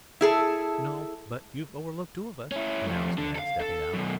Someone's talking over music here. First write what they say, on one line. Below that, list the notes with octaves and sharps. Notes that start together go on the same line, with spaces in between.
"No, but you've overlooked two of us," announced Ned stepping out.
E4 G#4 A4
C#4 E4
F3 A3
D3
A4 F5
A4
F#2 B2